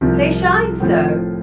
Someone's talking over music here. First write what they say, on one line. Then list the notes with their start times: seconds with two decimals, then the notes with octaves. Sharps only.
"They shine so!"
0.01 C2 C3 F3 C4
0.80 A2 F3 C4 F4